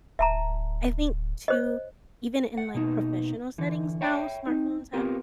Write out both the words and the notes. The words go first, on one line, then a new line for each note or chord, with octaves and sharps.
I think, too, even in, like, professional settings now, smartphones have,
D1 E5 A5 A#5
C5 C#5 D#5
F#5
B2 A#3 D#4
D3 E3
C#5 E5 G5 B5
C4 D#4
B3 C4 F4 G4 A#4